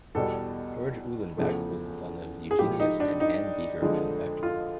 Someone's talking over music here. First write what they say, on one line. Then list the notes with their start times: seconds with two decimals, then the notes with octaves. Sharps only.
George Uhlenbeck was the son of Eugenius and Anne Beeger Uhlenbeck.
0.15 E2 B2 G3 A4
1.37 E2 C#3 F3 A3
2.51 G#4
2.59 A2 F3 G#3 G4
2.80 D#4
3.00 D4
3.20 D#4
3.82 F2 D3 F3 G#3
4.43 F4